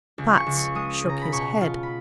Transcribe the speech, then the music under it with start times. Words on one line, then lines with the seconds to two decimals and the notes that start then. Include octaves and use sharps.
Platts shook his head.
0.18 C#2
0.37 C#6
0.46 C#2
0.56 C#6
0.75 G#3 D#6
1.04 C#3
1.09 A#5
1.21 B5
1.32 B2 C#6
1.61 F4
1.83 B5